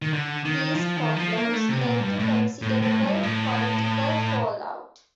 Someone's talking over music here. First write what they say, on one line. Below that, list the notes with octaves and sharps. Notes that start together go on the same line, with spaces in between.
These problems led to considerable political fallout.
D#3
D3
D#3
F3
D#3
F3
A#3
A3
C3
A#2
G2
A2
A2
A2
G2
A2